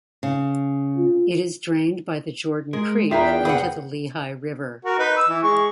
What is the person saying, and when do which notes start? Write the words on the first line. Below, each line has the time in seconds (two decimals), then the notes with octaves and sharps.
It is drained by the Jordan Creek into the Lehigh River.
0.23 C#3
0.97 F4
2.73 G#3 A#4
3.11 E2 D4 E4 F4 G#4 A#4 E5 G5
3.45 C3 A#3 G#4 B4 F#5 D#6
4.85 F#4 A#4
4.99 D#4 B4
5.17 E6
5.29 E3
5.43 G#3 C#6